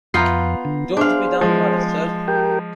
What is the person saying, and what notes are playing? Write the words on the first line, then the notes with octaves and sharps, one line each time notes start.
Don't be down-hearted, sir.
F2 B3 F4 A#5 G6 C7
D3
D4 G#4 C5 F5
F3 G#3
G4 A#4 G5